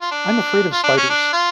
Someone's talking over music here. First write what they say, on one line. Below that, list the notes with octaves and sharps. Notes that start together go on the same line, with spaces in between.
I'm afraid of spiders.
F4
D4
F4
D4
C#4
D4
F4